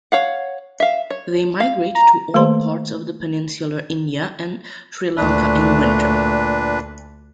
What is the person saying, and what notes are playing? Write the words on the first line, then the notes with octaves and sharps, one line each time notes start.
They migrate to all parts of peninsular India and Sri Lanka in winter.
C#5 F5 F#5
E5 F5
C#5
F5
A#5
D#3 A3 A#3 B4 C5 C6
D2 A#2 A3 D4 B4